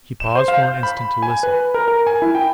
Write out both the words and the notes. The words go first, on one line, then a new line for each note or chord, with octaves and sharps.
He paused for an instant to listen.
E7
C5
F5
G6
B5
G#5
B4
A#4
A#4
G#5
E4
G5